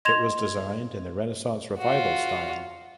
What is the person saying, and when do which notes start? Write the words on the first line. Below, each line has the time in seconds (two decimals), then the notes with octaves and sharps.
It was designed in the Renaissance Revival style.
0.05 D#5 C6 G#6 A#6 E7 F7
1.79 F4 F#4